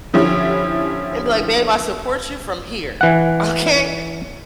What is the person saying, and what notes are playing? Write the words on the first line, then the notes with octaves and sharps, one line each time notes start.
and be like, "Babe, I support you from here, okay?"
D3 F3 C#4 E4 G4
E3 F#5